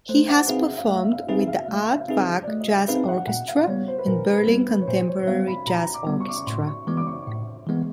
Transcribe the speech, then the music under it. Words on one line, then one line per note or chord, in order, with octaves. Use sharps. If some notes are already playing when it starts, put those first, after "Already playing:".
He has performed with the Aardvark Jazz Orchestra and Berlin Contemporary Jazz Orchestra.
A3 C5
F#5
C4 D#4 G#4 B4 F5
E5
F5
A3 E5
F5
E5
F5
E5
C4 D#4 G#4 B4 F5
E5
F5
E5
A3 F5
E5
F5
E5
F5
C4 D#4 G#4 B4 E5
D5
A3 D#5
D#5
E5
C4 D#4 G#4 B4 F5
F#5
A#2 F#5
F5
D5
G3 B3 C#5
C5
B4
A#2 A#4
B4
G3 B3 B4
B4
C#5
A#2 C5
C#5
G3 B3 F5
B5
A#2 A#5
D6
G3 B3
C#6
D6
C#6
A2 C6
C#6
E3 G#3 B3 D6
D6
C#6
A2
E3 G#3 B3